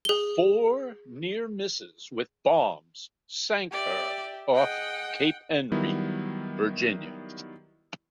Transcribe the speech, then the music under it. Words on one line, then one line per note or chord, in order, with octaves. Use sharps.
Four near-misses with bombs sank her off Cape Henry, Virginia.
G#4 G7
G4 D5 E5
G#4 D#5 F#5 G5
D#3 F#3 G3 B3 E4